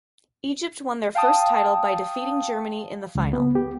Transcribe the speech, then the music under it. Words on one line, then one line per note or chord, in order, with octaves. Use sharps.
Egypt won their first title by defeating Germany in the final.
F5 G5 A5 D#6
C#2
B3
G4